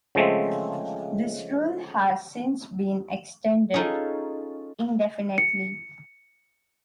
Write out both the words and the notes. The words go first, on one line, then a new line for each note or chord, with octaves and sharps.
This rule has since been extended indefinitely.
C#3 F3 G#3 A3 C4
C#4 D#4 F4 G#4 A4
C#7